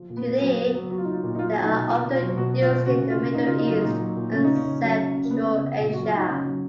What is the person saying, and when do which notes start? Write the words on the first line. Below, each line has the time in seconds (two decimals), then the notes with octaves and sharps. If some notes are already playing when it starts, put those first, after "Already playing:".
Today they are often used in the Middle East and Central Asia.
Already playing: F3
0.09 A#2
0.17 B3
0.26 A#2
0.41 F#3 B3
0.58 F#3
0.75 F#3
0.90 F#3 F#4
0.98 F4
1.05 F#3 D#4
1.13 F4
1.23 A#2
1.35 D#4
1.39 F#3 F4
1.56 F#3
1.63 D#4
1.71 B2
1.88 B2 F4
2.04 B2
2.13 F4
2.21 F#3
2.36 B2 F#4
2.53 B2
2.62 F4
2.70 B2
2.86 C#3 F#4
3.03 C#3
3.10 F4
3.19 C#3
3.34 C#3 D#4
3.46 C#3 F4
3.59 D#4
3.67 F#3 F4
3.81 A#2 D#4
4.00 F#3
4.17 A#2
4.32 C#3 C#4
4.44 C#3 D#4
4.56 C#4
4.65 C#3
4.81 F#3 C#4
4.97 C#3
5.13 C#3
5.24 A#3
5.30 C#3 B3
5.46 C#3
5.62 C#3
5.79 A#2
5.94 F#3 F#4
6.05 F4
6.12 F#3 D#4
6.27 C#3 C#4
6.44 F#3